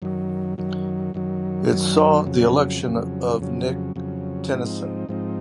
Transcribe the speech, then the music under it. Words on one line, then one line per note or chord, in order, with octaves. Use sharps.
It saw the election of Nick Tennyson.
F#2 D#3 F#3
F#2 D#3 F#3
F#2 D#3 F#3
F#2 D#3 F#3
F2 C#3 F#3
F2 C#3 F#3
F2 C#3 F#3
F2 C#3 F#3
G#2 F3 C4 D#4
G#2 F3 C4 D#4